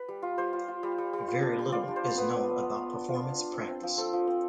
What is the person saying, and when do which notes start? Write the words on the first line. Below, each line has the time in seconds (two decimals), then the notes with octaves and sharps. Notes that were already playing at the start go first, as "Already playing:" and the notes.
Very little is known about performance practice.
Already playing: B4
0.09 G3
0.22 F4
0.38 G3 C5
0.53 F4
0.68 F4
0.83 G3
0.98 G3
1.13 G3
1.28 F4
1.43 D4
1.58 G3
1.72 F4 D5
1.88 D4
1.96 C5
2.04 F4
2.18 B3 B4
2.33 B3
2.49 D4
2.63 B3
2.78 B3
2.93 D4
3.09 F4
3.23 D4
3.38 D4
3.53 C4
3.68 C4
3.83 F3
3.98 C4 A4
4.13 F3
4.27 C4